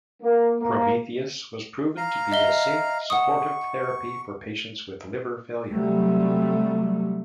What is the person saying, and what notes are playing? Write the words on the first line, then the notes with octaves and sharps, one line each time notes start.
Prometheus was proven to be a safe supportive therapy for patients with liver failure.
A#3
A#3
F5 A#5
D#5 E5 G7
F#5 C#6 D#6
C3 F#3 G3 A3